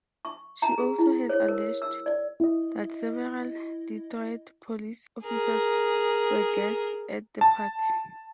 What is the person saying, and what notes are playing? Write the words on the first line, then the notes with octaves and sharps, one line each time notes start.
She also has alleged that several Detroit police officers were guests at the party.
C#6
A#5
G#4
E4
C#5
A#4
E6
D5
E4 D#5
G#4 A#4
A5